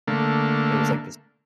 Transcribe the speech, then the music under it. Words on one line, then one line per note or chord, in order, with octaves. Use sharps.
It was like this
D3 A3 A#3